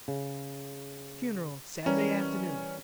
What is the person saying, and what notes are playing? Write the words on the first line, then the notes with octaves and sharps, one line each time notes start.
Funeral Saturday afternoon.
C#3
E3 G3 C#4 A#4